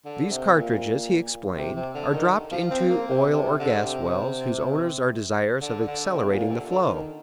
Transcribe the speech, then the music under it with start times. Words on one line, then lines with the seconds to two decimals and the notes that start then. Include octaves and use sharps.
These cartridges, he explained, are dropped into oil or gas wells whose owners are desirous of accelerating the flow.
0.05 D3
0.30 C3
0.56 A#2
1.57 C3
1.76 C3
1.94 D3
2.13 D#3
2.51 F3
2.71 C4
2.89 A#3
3.09 C3
3.33 C3
3.59 D3
3.84 C3
5.61 D3
5.87 D3
6.11 C3
6.31 A#2
6.50 D3
6.69 D3
6.88 D#3